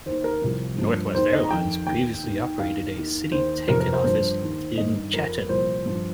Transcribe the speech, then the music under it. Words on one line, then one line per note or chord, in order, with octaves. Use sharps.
Northwest Airlines previously operated a city ticket office in Chatan.
D#2 D#3 C5
A#4
C2 C3 F3
G2 F3
D#2 D#3 C5
D#5
A#5
F2 D#3 G5
D#2 D#3 G5
D#2 D#3
D#2 D#3 F5
D#2 D#3
D#2 D#3 C5
F2 C3 F3 A#4
A#4
C5
G2 F3 C5
D#2 D#3
G2 D#3 D#5
F2 F3 A#4
C2 A#2 F3 C5
G2 F3